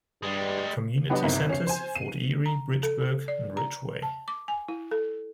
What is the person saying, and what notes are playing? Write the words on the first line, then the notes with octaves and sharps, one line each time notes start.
Community centres: Fort Erie, Bridgeburg and Ridgeway.
G2 G3 G#3
F#3 B3 D4 G4 B4 D#5
G1 C3 D#4 A#4
C#4 C7
C5 G#5
C7 D#7
A#5
A4
D5
A#5
A5
D6
G#5
E4
A4